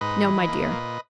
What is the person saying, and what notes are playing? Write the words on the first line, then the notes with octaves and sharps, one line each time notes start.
"No, my dear."
G#2 B4 D#5
E3
A#3
A#2